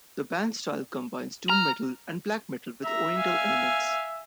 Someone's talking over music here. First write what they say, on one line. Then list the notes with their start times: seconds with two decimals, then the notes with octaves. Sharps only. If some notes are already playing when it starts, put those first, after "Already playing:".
The band's style combines doom metal and black metal with Oriental elements.
1.49 A#5 F6
2.84 E5 A#5
3.18 F5 G#5